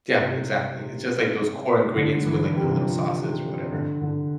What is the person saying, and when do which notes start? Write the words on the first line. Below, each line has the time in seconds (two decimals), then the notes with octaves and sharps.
Yeah, exactly, it's just like those core ingredients with, like, the little sauces or whatever.
0.20 C3
1.96 D3
2.25 E3
2.55 G3
2.63 C3
2.69 D3
2.77 E3
2.84 F3
3.72 D3
4.01 D3